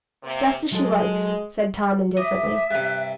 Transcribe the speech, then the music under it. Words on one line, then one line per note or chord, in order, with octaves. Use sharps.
"Just as she likes," said Tom indifferently.
C3 A#3
F#3 G#3 A4
D#5 E5 D6
G2 C3 F#6